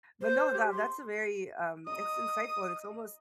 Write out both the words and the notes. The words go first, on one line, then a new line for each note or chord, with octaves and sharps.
but no, that that's a very, um, it's insightful, and it's almost,
C5
G4
C6
D#5 A#5 D#6